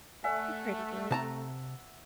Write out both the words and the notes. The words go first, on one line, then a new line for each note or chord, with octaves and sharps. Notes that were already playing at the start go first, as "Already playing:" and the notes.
M pretty good.
A3 D5 E5 F#5 G#5
C3 A5 A#5